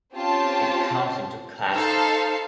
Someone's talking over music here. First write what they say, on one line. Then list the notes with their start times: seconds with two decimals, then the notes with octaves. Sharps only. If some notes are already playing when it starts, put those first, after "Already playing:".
It comes in two classes.
0.14 C4 C#4 F4 G4 A5
1.71 D#4 A4 C5 F5